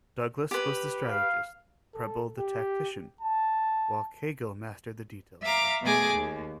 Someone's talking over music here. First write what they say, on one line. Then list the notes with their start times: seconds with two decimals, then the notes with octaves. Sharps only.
Douglas was the strategist, Prebble the tactician, while Caygill mastered the details.
0.51 G4 B4
1.08 F5
1.94 A4
2.38 G4
3.21 A5
5.43 E5 F5 A#5 D6 F6
5.84 B2 A3 G#4 G#5 D6 A#6
6.13 D#2